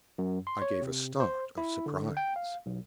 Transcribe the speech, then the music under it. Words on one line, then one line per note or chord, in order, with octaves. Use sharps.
I gave a start of surprise.
F#2
C6
C#5
C3
C5
E4
D3
G5
F5
B1